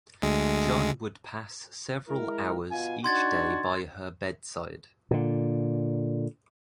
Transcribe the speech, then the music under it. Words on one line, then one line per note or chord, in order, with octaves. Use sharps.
John would pass several hours each day by her bedside.
D2 G#3
G#3 E4 A#4
B2 F4 G#5
D4 D#4 F#4 C6 G#6 A6
A#2 D3